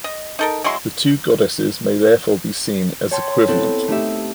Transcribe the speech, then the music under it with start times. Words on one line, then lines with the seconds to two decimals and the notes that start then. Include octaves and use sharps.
The two goddesses may therefore be seen as equivalent.
0.04 D#5
0.39 D#4 A4 A#4
0.64 F#3 G#3 E4 C6
3.11 C#5 G5 A5 C6
3.48 B3 C4 E4 A4
3.88 A3 D#4 G4 E5